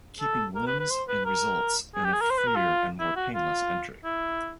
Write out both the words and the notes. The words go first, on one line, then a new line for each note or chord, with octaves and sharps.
Keeping limbs in results in a freer and more painless entry.
A4
A#4
B4
B4
C5
B4
A#4
G#4
G4
G#4
A#4
C5
B4
A#4
F4
E4
F#4
F4
E4